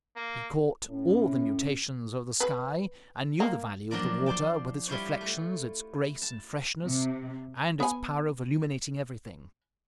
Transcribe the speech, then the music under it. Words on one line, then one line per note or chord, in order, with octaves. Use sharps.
He caught all the mutations of the sky, and knew the value of the water, with its reflections, its grace and freshness, and its power of illuminating everything.
A#3
A2 C#4
B4
A#3
F3 F#3 A#3 D4 A#4 D5
C5 D5 G5 A5
G3 E4 F4 C5 C#5
A3
A5
C3
B3 G#5